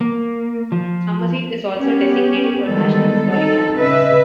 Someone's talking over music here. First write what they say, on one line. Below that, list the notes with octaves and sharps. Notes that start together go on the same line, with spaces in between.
Summerseat is also designated a National Historic Landmark.
A#3
F3
B3 C#4 G4
D#3 E3 G3 G#3 B3 A4
C4 D#4 A4
C#3 B4 D#5 E5